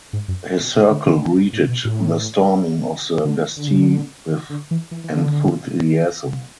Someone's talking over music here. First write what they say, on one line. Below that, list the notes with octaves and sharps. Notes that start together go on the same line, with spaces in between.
His circle greeted the Storming of the Bastille with enthusiasm.
G#2
F#2
B2
B2
D3
E3
D3
B2
A2
B2
A2
D3
D3
C#3
D3
D3
E3
E3
E3
D3